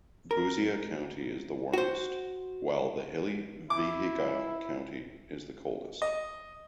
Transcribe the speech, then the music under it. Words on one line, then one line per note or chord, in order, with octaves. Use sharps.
Busia County is the warmest, while the hilly Vihiga County is the coldest.
A#4
F#4 C5
E4 D6
D#5